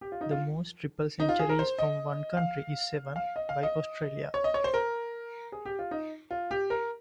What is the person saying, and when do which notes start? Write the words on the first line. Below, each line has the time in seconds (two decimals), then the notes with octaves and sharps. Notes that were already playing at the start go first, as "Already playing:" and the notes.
The most triple centuries from one country is seven, by Australia.
0.01 G4
0.12 F4
0.21 D#4
0.31 F4
1.20 D#4
1.29 F4
1.39 G#4
1.49 A#4
1.59 C5
1.79 D#5
2.37 F5
3.16 F5
3.36 D#5
3.49 F5
3.63 D#5
4.34 C#5
4.44 D#5
4.54 C#5
4.64 C5
4.74 A#4
5.52 G#4
5.65 G4
5.79 F4
5.91 D#4
6.31 F4
6.51 G4
6.70 A#4